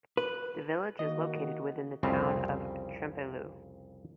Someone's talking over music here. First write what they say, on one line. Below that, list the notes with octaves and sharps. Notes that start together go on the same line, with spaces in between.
The village is located within the Town of Trempealeau.
B4
D#3 A#3 F#4 D#5
C2 F2 C#3 G3 C4